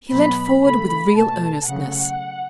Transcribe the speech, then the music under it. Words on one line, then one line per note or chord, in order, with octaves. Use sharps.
He leant forward, with real earnestness.
B2 F#3 B3 B5
C#3 A3 B5
B2 A3 A5
C#3 F#3 A3 F#5